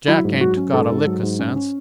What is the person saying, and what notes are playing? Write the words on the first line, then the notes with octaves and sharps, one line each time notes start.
Jack ain't got a lick uh sense.
F#3 E4
G#2
F#3 F#4
C#4
G#2 A4
G#2
F#3
G#2
C#4
C#4